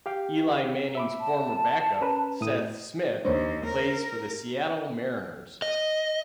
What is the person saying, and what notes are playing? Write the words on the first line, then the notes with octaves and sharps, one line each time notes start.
Eli Manning's former backup, Seth Smith, plays for the Seattle Mariners.
G4 F5 G5
E5 B5 D6
A5
C#4 A#4 B4
A2 D#6
D#2 D4 C5 C#5
A#4
D#5